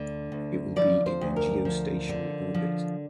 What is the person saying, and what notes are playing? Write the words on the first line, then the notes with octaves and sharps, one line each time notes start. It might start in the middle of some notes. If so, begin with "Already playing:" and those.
It will be in geostationary orbit.
Already playing: D2 D3
D2
F3 D5
C5
D2
A#4
F3
D3
F3